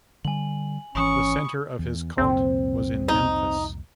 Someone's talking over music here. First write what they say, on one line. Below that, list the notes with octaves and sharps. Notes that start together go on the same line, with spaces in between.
The center of his cult was in Memphis.
D3 G3 G#5 F#7
G#1 E3 C#4 B5 C#6 D#6
E2
C2 F2 A#2 C4
D#4